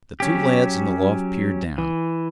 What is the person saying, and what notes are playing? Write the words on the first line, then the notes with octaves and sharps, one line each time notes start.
The two lads in the loft peered down.
F#3 C#4 G4
E3